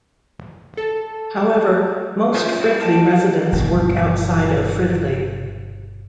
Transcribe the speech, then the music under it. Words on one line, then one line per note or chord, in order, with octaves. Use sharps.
However, most Fridley residents work outside of Fridley.
A4
C#4 F4 E5 D#6 G6
G3 C4 E4 F#4
D#5 G5 A5 D6 F6
G1 B2